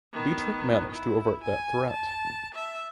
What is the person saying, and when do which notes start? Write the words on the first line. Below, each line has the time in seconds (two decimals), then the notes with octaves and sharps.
Diederik managed to avert that threat.
0.14 D#3 B3
0.91 E4
1.43 G#5
1.90 A5
2.55 E5